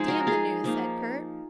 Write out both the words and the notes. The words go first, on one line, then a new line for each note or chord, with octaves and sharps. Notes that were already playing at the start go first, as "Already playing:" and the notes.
"Damn the news," said Kurt.
Already playing: F3 G#3 D#4 G#4 C5
F#4 A#4
F4 G#4
F3 A#3 D#4